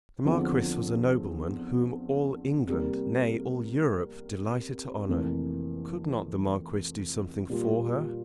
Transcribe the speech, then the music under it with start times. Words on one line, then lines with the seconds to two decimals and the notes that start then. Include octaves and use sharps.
The Marquis was a nobleman whom all England, nay, all Europe, delighted to honour. Could not the Marquis do something for her?
0.25 E2 D3 F3 C4
2.67 C3 G3 A#3
5.08 F1 F2 E3 A#3
7.50 A#2 G3 A#3 F4